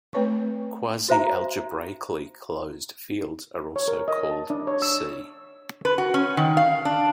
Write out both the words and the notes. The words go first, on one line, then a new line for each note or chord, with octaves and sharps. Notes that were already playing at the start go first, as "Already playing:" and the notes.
Quasi-algebraically closed fields are also called "C".
A3 C4 B4 C#5 C#6
F#4 C5 E5 A#5
C#5
A#4
D#5
A5
D4
C#5
E6
B4
F#4
C#4
D#3
F5
D4